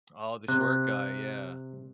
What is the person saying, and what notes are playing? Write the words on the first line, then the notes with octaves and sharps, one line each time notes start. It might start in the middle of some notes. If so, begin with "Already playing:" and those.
Oh, the short guy, yeah.
C3 F#6